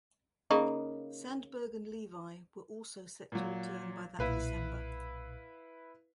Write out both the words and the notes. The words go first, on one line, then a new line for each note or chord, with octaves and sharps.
Sandberg and Levi were also set to return by that December.
C#3 A#3 D#4
A#2 F#3
B1 A#2 E4 B4 F5